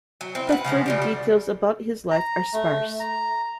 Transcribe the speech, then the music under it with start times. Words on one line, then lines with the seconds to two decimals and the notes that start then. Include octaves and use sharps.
But further details about his life are sparse.
0.21 F#3
0.35 C4 E4
0.49 B4 F5 F#5
0.65 C#3 F3 G#3 A3
0.86 C#3 F3 G3
1.02 G3
2.11 A#5
2.53 A3
3.00 A#5